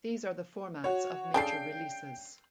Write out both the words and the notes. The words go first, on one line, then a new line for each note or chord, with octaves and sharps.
These are the formats of major releases.
F#4 C#5
C#3 D4 A4 G5 C7